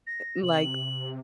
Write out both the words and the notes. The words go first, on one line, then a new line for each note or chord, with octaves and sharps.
i like
A#6
C3 F#7